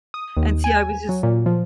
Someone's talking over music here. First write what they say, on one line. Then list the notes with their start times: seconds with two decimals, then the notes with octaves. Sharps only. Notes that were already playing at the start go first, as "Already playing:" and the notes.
and see, I was just
0.14 D#6
0.37 D#2
0.64 G#5
1.09 F#3
1.23 A#2
1.46 F3